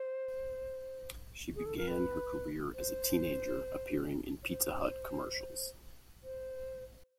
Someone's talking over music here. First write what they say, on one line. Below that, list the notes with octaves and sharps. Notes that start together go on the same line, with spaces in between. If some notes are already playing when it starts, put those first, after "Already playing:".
She began her career as a teenager appearing in Pizza Hut commercials.
Already playing: C5
G#4
A4
A#4
B4
C5
C#5
C5
C5